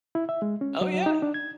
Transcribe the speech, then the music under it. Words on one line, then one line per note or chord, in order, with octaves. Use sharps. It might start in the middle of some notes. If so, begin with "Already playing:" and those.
Oh, yeah.
E4
E5
G#3
C#4
F#3
F#3
D#4
D4
G#6